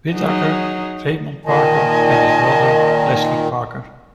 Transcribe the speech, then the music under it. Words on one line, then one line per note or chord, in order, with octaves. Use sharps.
Whitaker, Raymond Parker and his brother Plessey Parker.
F#3 D#4 G#4
A#2 D#3 D#5 G#5 A5